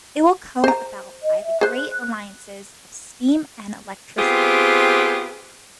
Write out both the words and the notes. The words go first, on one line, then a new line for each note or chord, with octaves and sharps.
It will come about by the great alliances of steam and electricity.
C5 A#5
D#5
E5
G#4 C5 F#6
B3 C4 F4 G4 G#4